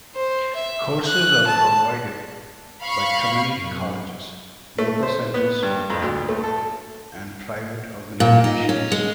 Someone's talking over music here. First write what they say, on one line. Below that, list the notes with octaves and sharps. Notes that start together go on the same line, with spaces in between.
Courses are provided by community colleges, local centres for deaf people and private organisations.
C5
E5
F#6
A5
F5 B5 C#6
F#2
A3
C5
B3
G2
F2
D2
A3
A4
A#2
D#4
C#4
G#3